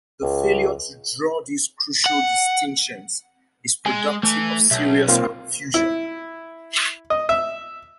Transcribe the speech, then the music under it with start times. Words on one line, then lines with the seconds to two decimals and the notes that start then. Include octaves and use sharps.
The failure to draw these crucial distinctions is productive of serious confusion.
0.22 C#2
2.06 F#5
3.86 G#3 G#5
4.23 E3 A3
4.71 B1 E5
5.08 A#3 C4 F4 A#4
5.74 E4
7.10 D#5
7.29 E5